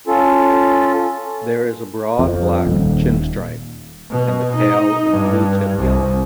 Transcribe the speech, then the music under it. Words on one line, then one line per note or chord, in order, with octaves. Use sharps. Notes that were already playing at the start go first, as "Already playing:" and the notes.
There is a broad black chin stripe and the tail is blue tipped yellow.
C#4 F4 A4
F2
D#1
B2
D#4
G2
C2